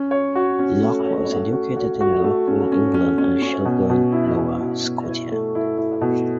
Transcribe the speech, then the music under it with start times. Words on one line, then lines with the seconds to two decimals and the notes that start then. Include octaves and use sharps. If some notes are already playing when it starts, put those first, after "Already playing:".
Locke was educated in Liverpool, England and Shelburne, Nova Scotia.
Already playing: C#4
0.11 C#5
0.35 F#4
0.59 C#4
0.82 A3
1.05 C#5
1.29 A3
1.53 F#4
1.77 F#4
2.01 F#4
2.24 A3
2.47 C#4
2.72 C#4
2.94 C#4
3.18 C#4
3.42 C#4
3.65 B2
3.90 B2
4.12 E4
4.36 B2
4.60 B2
4.84 B2
5.08 E4
5.32 A3
5.55 E4
5.78 E4
6.01 B2